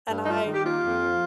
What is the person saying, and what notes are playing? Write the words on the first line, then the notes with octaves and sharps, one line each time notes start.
And I
G2
D#4
G3 F4
D#3
G4
A#3 F4
F2
F3